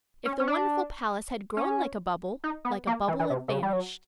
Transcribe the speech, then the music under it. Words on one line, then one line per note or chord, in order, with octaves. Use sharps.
If the wonderful palace had grown like a bubble, like a bubble it vanished.
C#4
C#4
D4
C#4
D#4
B3
A#3
E3
E3
C3
C3
C#3
G3
F#3